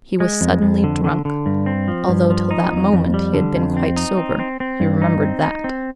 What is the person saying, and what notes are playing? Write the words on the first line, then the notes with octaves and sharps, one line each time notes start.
He was suddenly drunk, although till that moment he had been quite sober, he remembered that.
G#3
F2
F2
D3
D3
D3
G2
C4
F3
G2
F3
D#4
F2
F2
G3
D3
F2
C4
D#4
C4
C4
C4
G2
D#4
C4
D#4
C4